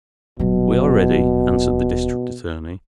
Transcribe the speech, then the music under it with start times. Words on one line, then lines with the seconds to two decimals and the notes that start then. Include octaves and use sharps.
"We are ready," answered the District Attorney.
0.39 D#1 B2 F#3